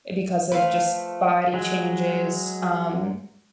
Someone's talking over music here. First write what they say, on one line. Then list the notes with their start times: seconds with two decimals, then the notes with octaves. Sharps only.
because of just body changes, um,
0.52 F3 A3 B4 F5
1.54 F#3 G#3